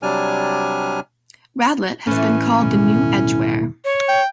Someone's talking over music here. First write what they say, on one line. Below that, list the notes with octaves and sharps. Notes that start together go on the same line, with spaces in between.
Radlett has been called the new Edgware.
C3 F#3 G3 D4 G#5 F6
A2 E3 C#4
D#2 B2 G3
C#5
G5